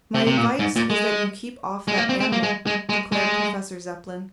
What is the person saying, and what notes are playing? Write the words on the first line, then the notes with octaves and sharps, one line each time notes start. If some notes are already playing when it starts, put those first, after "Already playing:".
"My advice is that you keep off that animal," declared Professor Zepplin.
C3
C3
A#2
G#2
A#2
G#3
G#3
A#3
C4
C4
A#3
G#3
G#3
G#3
G#3